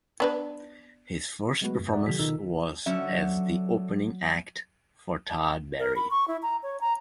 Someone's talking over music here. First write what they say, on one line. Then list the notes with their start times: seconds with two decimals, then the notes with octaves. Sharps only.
His first performance was as the opening act for Todd Barry.
0.20 B3 D4 B4
1.61 F#3 G#3 A3 B3 F#4 B4
1.78 F#2
1.93 A4 D5 E5 F#5
2.07 C3 D#3 F#3 F#4 G#4 B6
2.19 B2 D#3 D#4 F4 A4 E6
2.86 D3 F#3 C#4 E5
5.79 A#4
5.96 B5
6.10 C#6
6.28 E4
6.42 A#5
6.63 C#5
6.81 A#5